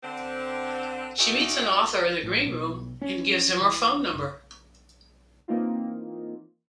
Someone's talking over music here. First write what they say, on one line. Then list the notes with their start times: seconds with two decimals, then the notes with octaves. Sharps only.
She meets an author in the green room and gives him her phone number.
0.03 D3 C4
1.19 C#4 D#4 E4 F#4 A4 D5
2.23 A1
2.46 B1
3.02 C#4
3.61 E3
4.13 F#1
5.48 E3 A#3 C4 D#4 F4